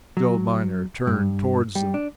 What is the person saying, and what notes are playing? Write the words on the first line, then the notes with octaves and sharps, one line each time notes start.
The old miner turned towards them.
F#3
G2
G3
D4